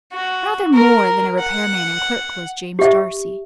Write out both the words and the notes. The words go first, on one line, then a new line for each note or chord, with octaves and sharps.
Rather more than a repair man and clerk was James Darcy.
F#4
A#4
F#5
G4 E5